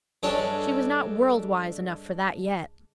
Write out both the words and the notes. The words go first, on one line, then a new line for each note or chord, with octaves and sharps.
She was not world-wise enough for that yet.
G2 G#3 D4 A4 C#5 G5